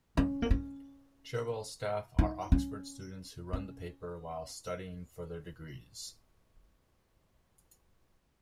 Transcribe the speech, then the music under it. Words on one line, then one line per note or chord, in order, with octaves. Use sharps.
"Cherwell" staff are Oxford students who run the paper while studying for their degrees.
C#4
A#3
C#4
D#4
C#4
C#4